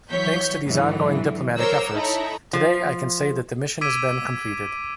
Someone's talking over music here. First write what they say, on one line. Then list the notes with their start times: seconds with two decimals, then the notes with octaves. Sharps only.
Thanks to these ongoing diplomatic efforts, today I can say that the mission has been completed.
0.10 E3 F#3 C#5 G6 B6
0.65 G#2 D3 E3 F#3
1.58 A#4 C5 C#5 A#5 D6 E6
1.93 D#4 E4 A4 C#5 A#5
2.53 F3
3.81 D6 E6 G#6 B6 D7 D#7